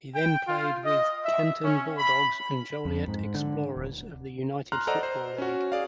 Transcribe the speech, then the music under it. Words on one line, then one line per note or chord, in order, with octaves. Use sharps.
He then played with Canton Bulldogs and Joliet Explorers of the United Football League.
G5
F4
D#5
E5
C#4
B5
F2
G#2
D3
D1
A#5 C6 F6 F#6
A4 C5 D5 D#5 F#5 A#5
C5
C#4 F#4
G#4 D5 F5